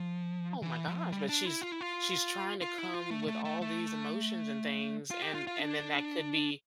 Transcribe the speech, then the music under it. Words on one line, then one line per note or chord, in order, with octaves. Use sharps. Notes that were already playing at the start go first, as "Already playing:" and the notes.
oh my gosh, but she's she's trying to come with all these emotions and things, and and then that could be
Already playing: F3
E3
F3
G3
D4
E4
F4
E4
F4
F4
E4
F4
A3
A3
A3
A3
F4
G4
F4
F4
D4